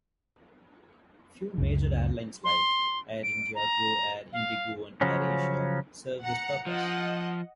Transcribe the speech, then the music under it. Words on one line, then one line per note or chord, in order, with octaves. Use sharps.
Few major airlines like Air India, GoAir, Indigo and airasia serve this purpose.
C#2 F#2 C#3
C6
D7
A#5
F5
C#3 F3 F#3 C#4
F#5 A#5 C#7
F3 D#5 F#5